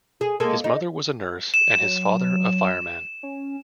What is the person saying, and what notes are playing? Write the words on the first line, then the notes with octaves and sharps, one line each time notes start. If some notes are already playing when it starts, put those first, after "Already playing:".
His mother was a nurse and his father a fireman.
G#4
G#3 A#3 A4
D#4
E7
F#3
C#4